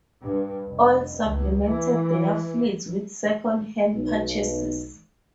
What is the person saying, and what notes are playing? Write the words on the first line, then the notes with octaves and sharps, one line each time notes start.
All supplemented their fleets with second hand purchases.
G2
F1
C#2
E3
B1